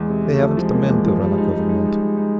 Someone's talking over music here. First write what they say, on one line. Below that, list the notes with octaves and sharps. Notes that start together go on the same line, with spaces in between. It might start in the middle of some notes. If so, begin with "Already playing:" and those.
They haven't the men to run a government.
Already playing: E2 G#3
C3
C3 A3
F3
F3 G#3
A#3
E2
F3
G3 G#3
D#4
G#3 D#4
D#4
G3
G3
D#4